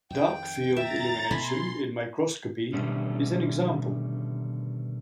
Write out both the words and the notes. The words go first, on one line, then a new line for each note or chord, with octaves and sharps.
Dark-field illumination in microscopy is an example.
F2 D#3 G5
E5 A#5 A6
B2 A3 G#5 B5 C6
B2 D3 D#3 G3 A3 C#4